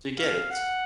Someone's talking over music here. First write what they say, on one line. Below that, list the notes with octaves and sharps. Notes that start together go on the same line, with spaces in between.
Do you get it?
F5
F#5